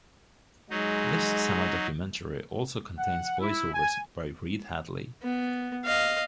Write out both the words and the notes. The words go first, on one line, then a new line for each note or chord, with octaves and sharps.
This semidocumentary also contains voice-overs by Reed Hadley.
F#3 G#3 D#4
F#5
E4
G#5
B3
D#5 F5